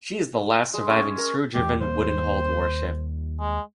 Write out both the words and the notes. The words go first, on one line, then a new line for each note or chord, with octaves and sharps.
She is the last surviving screw-driven, wooden-hulled warship.
G#3
C#4
A#4
E2 A3 G4
D#2 G3 A#3 C5
G#3